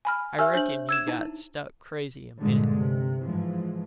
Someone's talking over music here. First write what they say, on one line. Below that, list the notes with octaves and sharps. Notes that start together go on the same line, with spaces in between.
I reckon he got struck crazy a minute.
G#5 B5 F6
G4 C#5 E5 G#5 E6 F6
D4 C5 C#5 F#7
E6 G#6 E7
D#4 E4 A5
G2 A#2 D3 G#3
C3
G#2 E3 F3